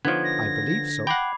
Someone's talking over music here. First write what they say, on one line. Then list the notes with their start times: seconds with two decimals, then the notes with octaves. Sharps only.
"I believe so."
0.05 D3 F3 B3 D#4 C#5 G#6
0.24 A#6
1.07 F#5 G5 B5 D6 C7